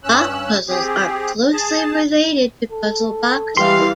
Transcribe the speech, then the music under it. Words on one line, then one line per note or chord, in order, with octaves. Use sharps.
Lock puzzles are closely related to puzzle boxes.
G2 C#4 E6 F#6
C4 G4 G#4
G#4 A5
A4
E3 G3 G4 F5 C6